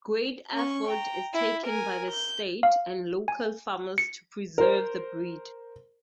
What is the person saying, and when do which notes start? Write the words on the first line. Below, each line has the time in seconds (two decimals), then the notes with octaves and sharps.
Great effort is taken by the state and local farmers to preserve the breed.
0.53 C#4 C#6
0.87 G5 A#5
1.34 E4
1.67 A#4 G#5
2.11 G6
2.63 F5
3.28 G#5
3.98 C#7
4.58 A#4 C5